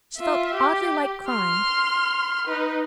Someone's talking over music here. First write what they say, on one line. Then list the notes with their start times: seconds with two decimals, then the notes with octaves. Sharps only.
She felt oddly like crying.
0.17 F4 E5
0.54 G4
1.28 C6 F6
2.47 D#4 B4